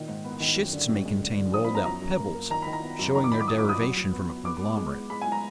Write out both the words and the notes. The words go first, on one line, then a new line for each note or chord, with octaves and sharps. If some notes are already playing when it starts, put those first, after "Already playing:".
Schists may contain rolled-out pebbles, showing their derivation from a conglomerate.
Already playing: A#2 D#3
G#2
B3
D#3
F#2
D3
F#2
G#3
D3
D3
F3 D#6
B5
B3
A#5
F#2 A#5
F#2
A#3
A#3
D#3 A#5
D#3 B5
A#5
B3
F#2
D#3 A#5
D6
D#3 B5
D6
F#2 D#6
D6
F#2
D#6
F#3
F#3
B3
B3
B3 D6
G#3
G#3
B3
G#3 B5
G#5
G#3
A#5